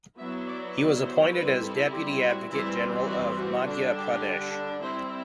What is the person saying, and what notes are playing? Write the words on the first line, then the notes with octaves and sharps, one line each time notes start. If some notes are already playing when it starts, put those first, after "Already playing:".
He was appointed as Deputy Advocate General of Madhya Pradesh.
F#3 B3 E4 E5
D5
D5
C5
G3 C4 E4 B4
A4
G4
F#4
E3 G3 C4 E4
F#4
F#4
D3 G3 D4
G4
G3 C4 E4 C5